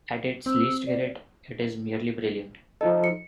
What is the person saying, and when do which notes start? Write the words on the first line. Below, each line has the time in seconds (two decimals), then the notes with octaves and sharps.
At its least great, it is merely brilliant...
0.46 C4 E6
0.87 D5
2.81 F3 D#4 A4 D#5
3.04 C#7